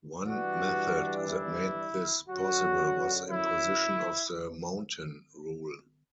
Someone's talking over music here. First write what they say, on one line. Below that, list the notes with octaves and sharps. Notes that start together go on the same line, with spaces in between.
One method that made this possible was imposition of the Mountain Rule.
G2 E3 G3 D4 F#4
E4
F#2 D3 F#3 F#4
E4